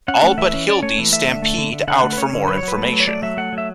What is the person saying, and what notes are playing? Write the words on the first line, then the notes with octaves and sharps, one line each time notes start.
All but Hildy stampede out for more information.
C#4 F#5
A3
E3 E5
C#4
C#4 D5
A3 C#5
E3
A3 E5
D3
A3
D3
D3
D3 F#5
A3
B4
C#4 C#5
D3
F#3 B4
C#5
F#3
B4
A3
F#3
C#5
A3 D5
F#3 E5
A3 F#5
F#3
E5